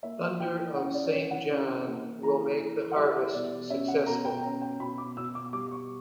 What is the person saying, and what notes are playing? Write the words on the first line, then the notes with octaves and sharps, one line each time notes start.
Thunder of Saint John, will make the harvest successful.
A#3 E5
E3 G5
C#4 F#5
D5
D5
E3 C#5
F#5
C#4
A#3
E3 A#5
E3
F#5
G3 E5
E5
B2 D5
C#4 E5
F#5
B2 A#5
G5
G5
C#4 A#5
G5
B2 B5
D6
B2 E6
D6
G3 D6
C#6